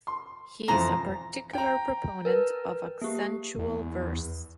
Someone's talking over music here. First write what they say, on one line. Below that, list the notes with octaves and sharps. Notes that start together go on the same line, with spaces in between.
He is a particular proponent of accentual verse.
C6
F2 E3 F3 C5 A#5
G5 A#5
A#4 B4
A#3 G4
E2